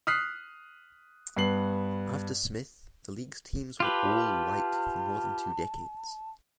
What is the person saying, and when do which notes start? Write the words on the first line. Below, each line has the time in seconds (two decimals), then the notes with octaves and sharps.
After Smith, the league's teams were all-white for more than two decades.
0.07 D#6 F6 F#6 B6 C7
1.37 G2 B3 C7 F#7
3.80 F4 G4 B4 A5